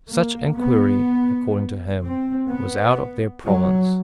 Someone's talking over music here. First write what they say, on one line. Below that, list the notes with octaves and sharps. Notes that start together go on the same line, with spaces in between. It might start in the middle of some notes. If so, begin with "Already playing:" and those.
Such inquiry, according to him, was out of their province.
A#3
B3
C4
B3
F#3